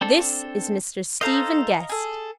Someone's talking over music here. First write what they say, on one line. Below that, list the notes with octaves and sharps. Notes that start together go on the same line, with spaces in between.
"This is Mr. Stephen Guest."
C4 D4 A4
D#4 A4 C5 D#5 F5 A#5
G#4 A4